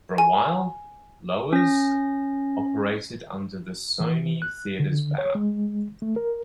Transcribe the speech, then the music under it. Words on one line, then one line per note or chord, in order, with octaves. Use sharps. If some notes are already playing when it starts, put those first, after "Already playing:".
For a while, Loews operated under the Sony Theaters banner.
G#5
C#4 A#6
E3
F#6
D3
C#5
G#3
A3
A#4